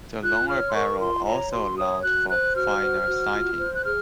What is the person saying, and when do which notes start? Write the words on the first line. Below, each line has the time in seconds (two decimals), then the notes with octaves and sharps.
The longer barrel also allowed for finer sighting.
0.23 F4 F#6
0.48 C#5 F6
0.67 C6
0.74 A#4 C#6
1.00 F4 C6
1.27 C#5 A#5
1.52 F#4 C6
1.78 C#5 D#6
2.03 F#4 F#6
2.30 C5 F#6
2.55 F#4 F6
2.82 C5
3.07 F#4
3.32 F4
3.58 C5
3.75 F#6
3.84 G#4 F6